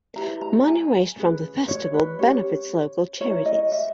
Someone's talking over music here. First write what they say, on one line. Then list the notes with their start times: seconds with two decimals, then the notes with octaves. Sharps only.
Money raised from the festival benefits local charities.
0.16 E4 G4 B4 A#5
0.42 A#5
0.67 G#5
1.17 C#4 G#4 B4
1.68 C#5
1.94 B4
2.19 C#4 G4 A#4 C#5
3.20 E4 A#4 C#5
3.46 D#5
3.72 E5